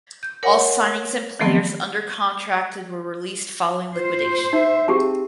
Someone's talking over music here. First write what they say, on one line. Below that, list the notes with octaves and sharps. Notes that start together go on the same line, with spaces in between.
All signings and players under contracted were released following liquidation.
G6
A#4 C#5 F#5 G#5
D#3 F3 F#3 A3 B3 C4
F4 C5
D#4 E5
C4 G4 G#4 A5